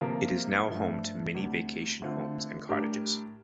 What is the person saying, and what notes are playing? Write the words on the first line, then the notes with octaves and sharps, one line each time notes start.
It is now home to many vacation homes and cottages.
C3 F3 A#3 F4 A#4
G2 F3 A3
D2 C3 G3 D4
D3 A3 C4 F4
A2 G3 D4 G4 A#4